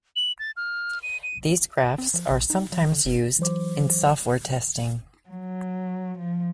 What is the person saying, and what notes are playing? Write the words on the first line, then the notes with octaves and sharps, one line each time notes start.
These graphs are sometimes used in software testing.
F#7
A6
F6
D#7
D#7
C4
F3
A#1
D#4
F#3
D3
F1
E3 F#3 C5 D6
F#3
F3